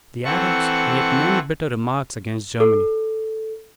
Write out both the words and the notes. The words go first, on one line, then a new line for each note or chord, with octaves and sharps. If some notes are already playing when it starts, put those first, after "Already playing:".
The Arabs made many bitter remarks against Germany.
E3 C4 A4 F#5 C#6
A4